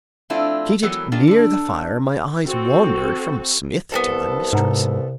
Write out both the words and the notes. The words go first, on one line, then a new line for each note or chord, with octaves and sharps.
Seated near the fire, my eyes wandered from Smith to my mistress.
F3 A3 C4 D4 E4 F4
E3 F#3 G3 B3 A4 A#4
G#3 A#3 D4 F4 G4
D3 D4
C4 F#4 A4
C2 B3 C4 A4
G#2 C3 F#5 A#5